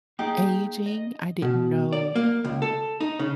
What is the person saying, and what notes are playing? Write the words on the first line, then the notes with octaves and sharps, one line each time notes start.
aging, I didn't know,
A#3 D#4 G4 G#4
D#5
B2
D5
A#3
C#2
A4
D#4
C#3